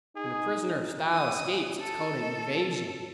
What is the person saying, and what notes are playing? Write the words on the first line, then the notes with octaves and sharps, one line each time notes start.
When a prisoner of style escapes it's called an evasion.
D#4 G#4
D#6
A4